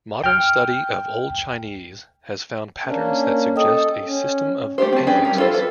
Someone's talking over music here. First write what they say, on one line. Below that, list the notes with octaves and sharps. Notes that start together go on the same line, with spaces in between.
Modern study of Old Chinese has found patterns that suggest a system of affixes.
G5 F6
A#3 C#4 D4
A4 D#5 G5 D#6
C#4
A3 D4 G4 C5
C4 A5
C#4 D4 G4 G#4 B4
G3 A#4
B3 E4 F4 A4 C5
A4 B4